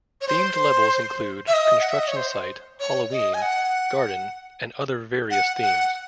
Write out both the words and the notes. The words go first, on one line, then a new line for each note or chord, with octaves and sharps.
Themed levels include: construction site, Halloween, garden and other various themes.
C#5
C5
E5
D#5
F#5
E5
D#5
C#5
C5
C#5
D#5
G#5
F#5
F#5
F#5